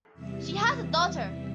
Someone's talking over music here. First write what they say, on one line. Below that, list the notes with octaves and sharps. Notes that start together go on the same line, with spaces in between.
She has a daughter.
E2 C3 E3 G3 E5
E5
E5